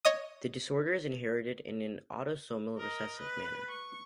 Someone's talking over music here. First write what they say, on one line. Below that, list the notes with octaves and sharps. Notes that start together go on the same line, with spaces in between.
The disorder is inherited in an autosomal recessive manner.
C#5 D#5 D#6
A#4 D#5
B4
C#6